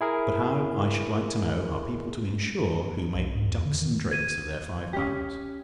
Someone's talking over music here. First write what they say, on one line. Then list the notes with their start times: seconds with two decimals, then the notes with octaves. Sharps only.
But how, I should like to know, are people to insure who make ducks and drakes of their five pounds?
0.01 E4 G#4 A#4
3.14 C2
3.35 G#2
3.48 E2
3.64 D3
3.81 D#3
4.11 G#6 D#7
4.93 C#4 G4